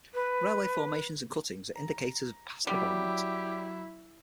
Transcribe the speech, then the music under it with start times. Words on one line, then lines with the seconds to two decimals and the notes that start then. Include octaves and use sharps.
Railway formations and cuttings are indicators of past development.
0.14 B4
1.76 A#5
2.67 F#3 G3 E4 G4 E6 B6